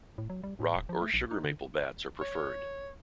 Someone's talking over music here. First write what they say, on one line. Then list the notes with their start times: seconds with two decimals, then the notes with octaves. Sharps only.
Rock or Sugar Maple bats are preferred.
0.18 A2
0.30 F#3
0.43 G3
0.60 A2
0.76 D1
0.89 F3
1.02 A3
1.14 A#1
1.31 D#4
1.44 D3
2.21 C#5